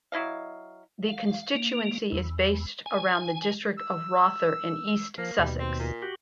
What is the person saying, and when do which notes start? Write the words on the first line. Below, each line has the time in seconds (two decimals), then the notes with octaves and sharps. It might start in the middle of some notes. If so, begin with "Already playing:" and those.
The constituency is based around the district of Rother in East Sussex.
0.12 F#3 E4 D#5 F5
1.09 F5
1.55 A#3
2.12 E2
2.86 G#5
3.77 E6
5.18 F3 A#3
5.39 D#2 B2 G3
5.59 C4
5.79 A#2
6.02 F#4 G4